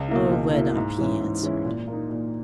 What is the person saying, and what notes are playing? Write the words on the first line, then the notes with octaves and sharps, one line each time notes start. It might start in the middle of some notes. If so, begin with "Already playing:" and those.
"Oh, let up," he answered.
Already playing: C#2
B2 A#3 E4
C#2
B2 A#3 E4
G#2
E3 G#3 C#4 E4
G#2
E3 G#3 C#4 E4
A#2
A#3
D#4
A#2